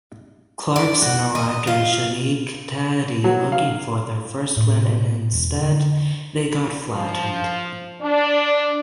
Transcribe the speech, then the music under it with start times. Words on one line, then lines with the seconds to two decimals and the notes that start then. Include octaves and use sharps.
Clarkson arrived in Schenectady looking for their first win and instead they got flattened.
0.76 D5
1.02 F#4
1.35 D#5
1.67 F4
3.24 F#3
3.52 F5
4.57 A2
5.33 E1
5.62 D3
6.94 F3
8.01 D4